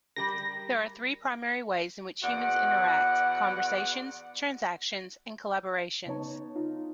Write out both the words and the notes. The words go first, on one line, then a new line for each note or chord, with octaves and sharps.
There are three primary ways in which humans interact: conversations, transactions, and collaborations.
G3 G4 A#4 A#6
E2 F#4 D5 F#5
C#3 B3 D#4 C#5 A5
D#4 F4